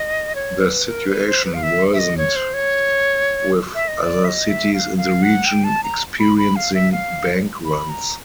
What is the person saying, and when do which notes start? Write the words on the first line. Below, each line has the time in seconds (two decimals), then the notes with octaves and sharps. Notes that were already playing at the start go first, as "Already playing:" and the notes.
The situation worsened with other cities in the region experiencing bank runs.
Already playing: D#5
0.35 C#5
0.60 C5
0.64 B4
0.84 B4
0.88 A#4
1.08 B4
1.27 C5
1.45 B4
1.54 F5
1.63 E5
1.93 E5
1.99 D#5
2.17 C#5
2.36 C5
2.54 C#5
3.75 E5
3.88 D#5
4.00 D5
4.25 E5
4.28 D#5
4.49 E5
4.74 F5
4.97 F5
5.23 F#5
5.46 G5
5.64 A5
5.83 A#5
6.20 B5
6.38 B5
6.56 F5
6.74 E5
6.92 F5
7.65 B5
7.89 A#5